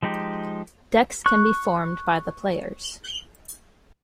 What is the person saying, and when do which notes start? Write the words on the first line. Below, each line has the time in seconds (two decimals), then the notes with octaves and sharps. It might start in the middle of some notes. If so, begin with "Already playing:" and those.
Decks can be formed by the players.
0.03 F3 G#3 D#4 G4
1.26 C#6 F#6